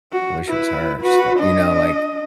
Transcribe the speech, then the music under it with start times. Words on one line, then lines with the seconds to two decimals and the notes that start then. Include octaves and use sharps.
I wish it was her still you know, like,
0.12 F#4
0.49 E4 B4
1.02 F#4 B4
1.39 D4 D#5